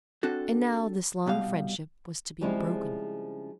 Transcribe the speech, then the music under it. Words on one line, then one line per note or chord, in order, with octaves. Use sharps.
And now this long friendship was to be broken.
C4 D4 F#4 A4
C2 B2 G3 F5
C#3 F3 G3 G#3 C4 E4